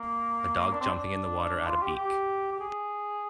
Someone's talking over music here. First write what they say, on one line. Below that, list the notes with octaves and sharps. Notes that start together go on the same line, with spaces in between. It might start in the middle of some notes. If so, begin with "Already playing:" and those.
A dog jumping in the water at a beack.
Already playing: A#3
D4
C4
D4
F4
G4
G4
G4
G#4